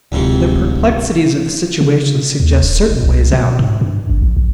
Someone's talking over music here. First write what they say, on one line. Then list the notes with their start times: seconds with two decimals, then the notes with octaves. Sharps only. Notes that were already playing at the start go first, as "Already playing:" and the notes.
The perplexities of the situation suggest certain ways out.
0.12 D1 F2 G#2 C3
1.81 C#3
2.40 D#2
2.63 D1
2.90 D#1
3.03 C2
3.33 B2
3.59 G#2
3.81 G2
4.10 G#1
4.22 A#1
4.37 A#1